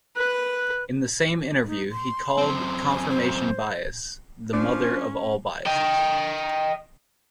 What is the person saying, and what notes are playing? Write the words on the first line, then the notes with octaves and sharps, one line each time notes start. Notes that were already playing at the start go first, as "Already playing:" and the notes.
In the same interview he called confirmation bias the mother of all biases.
B4 F#6
D#4
C6
F#2 C4
G#5
C5
F3 C#4 D4
D#5 G5